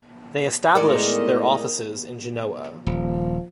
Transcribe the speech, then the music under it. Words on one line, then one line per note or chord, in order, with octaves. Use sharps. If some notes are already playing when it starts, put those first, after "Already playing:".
They established their offices in Genoa.
A2 D#3 G#3 B3 A4 A#4 D5 D#5
D#1 F3